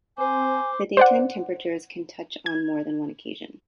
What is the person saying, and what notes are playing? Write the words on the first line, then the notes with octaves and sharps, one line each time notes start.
The daytime temperatures can touch on more than one occasion.
C4 C5 G#5 D6
C5 D5 F#5
G#6